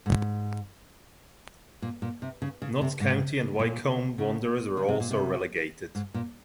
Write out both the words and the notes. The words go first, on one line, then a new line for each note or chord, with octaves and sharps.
Notts County and Wycombe Wanderers were also relegated.
G#2
A#2
A#2
C3
C#3
C#3
C3
G#2
A#2
C#3
C#3
C3
A#2
C3
G#2
A#2